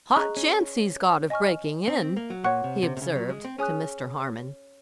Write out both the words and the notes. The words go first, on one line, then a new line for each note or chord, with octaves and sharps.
"Hot chance he's got of breaking in," he observed to Mr. Harmon.
C#4 G#4 D#5 A#5 C#6 F#6
C#4
D#5 G#5 C#6 F6
C4
C4
A#3
F#3
A#2 C#5 F#5 C#6 F#6
C3
C3
C3
C#3
F#3
G#3
C4
C#4 G#4 C#5 G#5 D#6 F#6